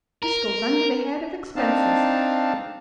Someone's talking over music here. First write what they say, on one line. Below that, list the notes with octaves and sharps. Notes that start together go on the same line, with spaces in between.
This goes under the head of expenses.
A#4
C4 D4 D#4 F5 A5